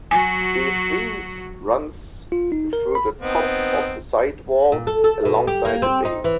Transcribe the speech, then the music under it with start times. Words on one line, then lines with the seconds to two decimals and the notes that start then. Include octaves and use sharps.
A frieze runs through the top of the side wall alongside the base.
0.11 F#3 F#4 G#5
2.32 F4
2.52 D#4
2.73 A#4
2.95 B5
3.22 B3 C4 D#4
4.72 A#2
4.87 A4
5.04 A4
5.25 B2
5.47 G4
5.65 A#3
5.82 C4
6.05 D#4
6.24 E3